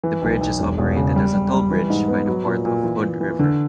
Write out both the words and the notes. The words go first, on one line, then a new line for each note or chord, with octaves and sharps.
The bridge is operated as a toll bridge by the Port of Hood River.
E3
B1
B1
E1
E1
C#3
G3
G3
G3
E3
G#2
B3
F#3
A#2
A#2
E3
E3
E3
D3